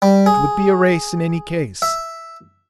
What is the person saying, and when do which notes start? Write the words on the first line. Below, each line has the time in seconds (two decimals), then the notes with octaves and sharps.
It would be a race, in any case.
0.02 G3
0.26 G#4
1.82 E5